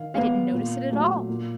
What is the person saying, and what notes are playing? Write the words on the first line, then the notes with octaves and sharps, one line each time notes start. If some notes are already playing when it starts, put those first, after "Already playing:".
"I didn't notice it at all."
Already playing: D#3 F5
G#3 B3 F5
A#2
F#3 A3
A#2